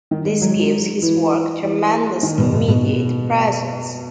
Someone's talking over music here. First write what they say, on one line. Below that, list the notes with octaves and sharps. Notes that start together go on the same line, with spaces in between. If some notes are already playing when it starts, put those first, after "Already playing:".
This gives his work tremendous immediate presence.
D#3
G#3
F#3
E3
E3
D#3
B2
B2
B2